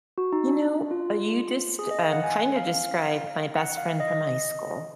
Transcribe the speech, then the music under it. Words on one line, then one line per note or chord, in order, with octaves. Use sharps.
You know, uh you just, um, kinda described my best friend from high school.
F#4
D#4
D4
F4
G#4
D#5
F5
F#5
G#5
F5
F5
F#5
F5
D#5